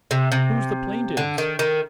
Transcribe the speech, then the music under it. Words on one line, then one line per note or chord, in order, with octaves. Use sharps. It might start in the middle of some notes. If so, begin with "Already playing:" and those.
'Who's the plaintives?
C3
C3
D3
D#3
D#3